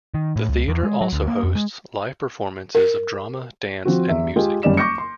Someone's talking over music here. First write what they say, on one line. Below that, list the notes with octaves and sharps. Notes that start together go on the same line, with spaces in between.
The theatre also hosts live performances of drama, dance and music.
D#3
A2
C#2
E2
G#3
F#3
D2
A#3
F2
G#3
A#4
F3 C4 F#4
E2 E5
G#3 F4 G4 G#4
F#1 G3 C#4 D5 E7
C#6 D6 G6 A#6 C#7
C6